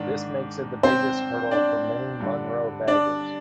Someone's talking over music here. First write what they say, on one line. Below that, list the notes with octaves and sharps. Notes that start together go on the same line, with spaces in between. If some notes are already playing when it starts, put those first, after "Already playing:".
This makes it the biggest hurdle for many Munro baggers.
Already playing: G#2 D#3 D4
C4 C5
D4 D5
G2 D3
D4 D5